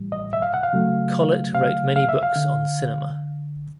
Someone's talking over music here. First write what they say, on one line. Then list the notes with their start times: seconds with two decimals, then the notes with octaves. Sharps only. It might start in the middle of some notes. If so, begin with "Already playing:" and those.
Collet wrote many books on cinema.
Already playing: A2 E3 G3
0.12 D#5
0.33 E5
0.42 F5
0.54 F#5
0.63 F5
0.73 C#3 F#3 A3
1.55 F5
1.96 F5
2.09 E5
2.23 F5
2.36 D3